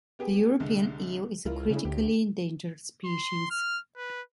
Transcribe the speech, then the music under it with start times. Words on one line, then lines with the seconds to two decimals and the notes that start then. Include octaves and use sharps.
The European eel is a critically endangered species.
0.19 B3 G4 G#4
0.60 C2 D3 G#3
1.45 C#2 E4 F4 A#4
1.70 C#3 C#4 D4 E4
1.85 D2 G4
3.05 C6
3.50 F6
3.97 B4